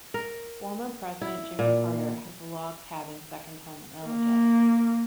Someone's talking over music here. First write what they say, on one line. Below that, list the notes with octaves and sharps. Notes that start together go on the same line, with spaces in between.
Former President Jimmy Carter has a log cabin second home in Ellijay.
A#4
E4
A#2
A#3